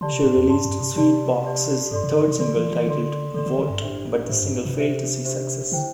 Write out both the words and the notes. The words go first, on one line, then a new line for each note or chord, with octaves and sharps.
She released Sweetbox's third single titled "Wot", but the single failed to see success.
D3 G4 D5 A5 C6
C3
A2
E2
G2 G4 D5 A5 C6
G2
C3
C3 G4 D5 A5 C6
G4 D5 A5 C6
G2 A4 D5 C6
C3
D3
C3
D3 A4 D5 C6
E3
E3
D3 A4 D5 C6
D3 A4 D5 C6
D3
D3
G2
A2 D4 G4 C5 E5
A2 D4 G4 C5 E5
G2
A2
C3
D4 G4 C5 E5
D4 G4 C5 E5
D3 E4 C5 G5